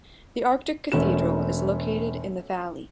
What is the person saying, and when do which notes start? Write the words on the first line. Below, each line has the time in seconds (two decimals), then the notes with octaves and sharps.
The Arctic Cathedral is located in the valley.
0.92 E1 A3 C#4 F#4 E7